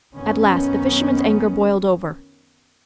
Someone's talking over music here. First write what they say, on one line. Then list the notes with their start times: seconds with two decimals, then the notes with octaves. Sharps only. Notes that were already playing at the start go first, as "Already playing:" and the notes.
At last the fisherman's anger boiled over.
0.14 F#2 D#3 B3 C#4